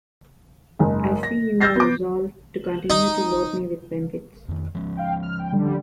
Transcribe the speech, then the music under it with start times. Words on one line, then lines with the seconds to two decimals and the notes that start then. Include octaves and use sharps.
I see you are resolved to continue to load me with benefits.
0.79 F#1 G#2
1.23 A#6
1.61 E6 F6 G6 A6 A#6 C7
1.76 B3 D6
2.90 D#4
4.48 F2 D#3
4.75 F3 G#3 C#4
4.97 F5 G5
5.23 F6
5.39 G5
5.52 D3 G3